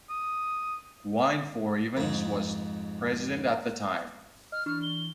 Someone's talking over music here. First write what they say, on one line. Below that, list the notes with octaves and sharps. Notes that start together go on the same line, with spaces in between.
Gwynfor Evans was president at the time.
D#6
F2 G#2
D#5 F6
E3 D4 C#6 F6
G7